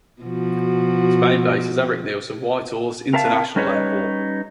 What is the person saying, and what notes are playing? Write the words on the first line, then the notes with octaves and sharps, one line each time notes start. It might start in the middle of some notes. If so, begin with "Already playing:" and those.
Its main base is Erik Nielsen Whitehorse International Airport.
B2 F3 F#4
C4 A#4 E5 F5 A5
G3 C#4 D#4 B4 C#5